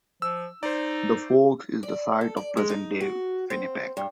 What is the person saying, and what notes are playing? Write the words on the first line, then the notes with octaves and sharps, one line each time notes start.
The Forks is the site of present-day Winnipeg.
F3 E6
D#4 C5 D5
D5
A4
D5
G#3
D#4
F#4
C4
G2